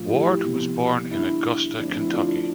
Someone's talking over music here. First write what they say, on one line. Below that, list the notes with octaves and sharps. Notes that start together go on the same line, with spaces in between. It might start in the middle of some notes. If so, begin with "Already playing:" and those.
Ward was born in Augusta, Kentucky.
Already playing: A2 F3 A3 D4 F4
E4 G4
C3 F3 B3
D3 G3 D4 E4
D3 F3 A3 C4 D4
E4
D4 F4